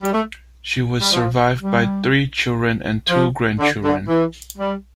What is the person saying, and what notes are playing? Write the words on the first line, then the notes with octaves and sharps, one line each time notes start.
She was survived by three children and two grandchildren.
G3
A3
G3
F3
G3
F3
D3
D3
E3
G3